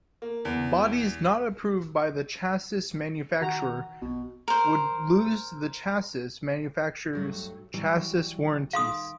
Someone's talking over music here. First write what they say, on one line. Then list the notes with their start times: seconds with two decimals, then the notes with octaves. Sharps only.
Bodies not approved by the chassis manufacturer would lose the chassis manufacturer's chassis warranties.
0.22 A#3
0.45 E2
3.41 D#3 F#4 A#5
4.02 B1 B2
4.48 A#4 C5
7.13 G2 F#3 A3
7.74 E3 F#3 G3
8.73 D#3 F5 C6 D#6